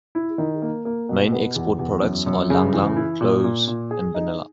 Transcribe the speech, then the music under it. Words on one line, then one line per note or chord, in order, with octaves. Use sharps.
Main export products are Ylang Ylang, cloves and vanilla.
E4
D#3
A#3
A#3
B2
B3
E2
E2
F#2
F#2
C#3
E3
E4
A#2
A#2
A#2
G#4
D#4